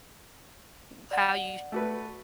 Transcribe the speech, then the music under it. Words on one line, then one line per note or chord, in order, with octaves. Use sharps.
W how you
D5 F#5
A3 F#4 B4